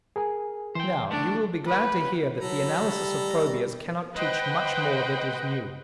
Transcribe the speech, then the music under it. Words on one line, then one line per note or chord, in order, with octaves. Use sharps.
Now you will be glad to hear that the analysis of phobias cannot teach much more that is new.
G#4 A#4 G#5
E3 C5 G5
A3 D4
B4
F#3 A4 A#5 B5
G3
B4 C5 D#5 F#5 G5